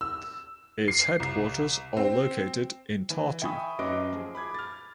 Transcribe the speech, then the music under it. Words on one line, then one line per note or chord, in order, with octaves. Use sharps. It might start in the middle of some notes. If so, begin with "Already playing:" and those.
Its headquarters are located in Tartu.
E6
C7
C2
C4
E3
E5 G5 G#5 B5 C#6 D#6
F#2 F#3 B4 D#5 D6 D7
F3 G#4
B5 D6 G#6
F6 A6